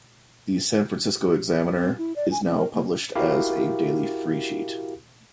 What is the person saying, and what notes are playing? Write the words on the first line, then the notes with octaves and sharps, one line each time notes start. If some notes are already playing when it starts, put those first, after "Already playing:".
The "San Francisco Examiner" is now published as a daily freesheet.
C4
E4
D5
G#5
C4
A#4
A#3
E4 F#4 G4 A#4 F5